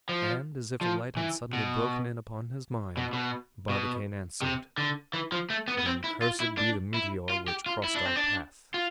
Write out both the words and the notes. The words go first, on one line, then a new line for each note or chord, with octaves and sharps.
And, as if a light had suddenly broken in upon his mind, Barbicane answered, "Then cursed be the meteor which crossed our path."
F3
F3
E3
B2
B2
B2
B2
C3
D3
E3
F3
A3
B3
B3
C4
E4
F4
E4
D4
E4
F4
G4
F4
E4
D4
C4
D4
F4